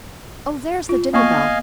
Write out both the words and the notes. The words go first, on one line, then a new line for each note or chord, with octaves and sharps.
Oh, there's the dinner-bell.
F4
A#3 B3 D#5 F5 G#5 C#6